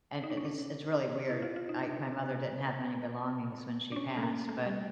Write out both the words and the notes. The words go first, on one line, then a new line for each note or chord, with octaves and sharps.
And it it's it's really weird. I my mother didn't have many belongings when she passed, but
D#4
D4
C#4
D4
E4
F4
F4
D#4
D4
D4
C#4
A3
A#3
A3
G3